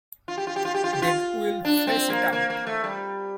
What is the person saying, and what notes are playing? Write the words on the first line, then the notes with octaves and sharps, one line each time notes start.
Then we'll face it out.
F4
G4
F4
G4
F4
G4
F4
G4
F4
D4
C4
A#3
A#3
A#3
A3
G3